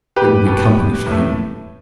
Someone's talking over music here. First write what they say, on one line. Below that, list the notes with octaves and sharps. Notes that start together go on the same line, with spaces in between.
It will be company for him.'
G4 B4
B2 B3
A2
A3